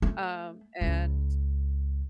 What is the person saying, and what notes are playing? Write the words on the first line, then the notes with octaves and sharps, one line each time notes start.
Um, and,
A3
C#2